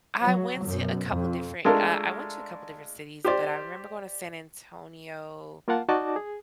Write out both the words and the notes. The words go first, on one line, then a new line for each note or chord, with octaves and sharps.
I went to a couple different, uh, I went to a couple different cities, but I remember going to San Antonio.
F#3
F#2 B2
F2
G#3 A3 D4 F4 A4 A#4
G4 C5 D5
A#3 F4 A#4 F5 F#5 A5
D#4 F#4 D5 D#5 A5 D6
G#4